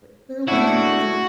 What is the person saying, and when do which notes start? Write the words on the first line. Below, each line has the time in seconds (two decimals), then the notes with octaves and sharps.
But clearly, he doesn't.
0.48 A3 D4 E4 F#4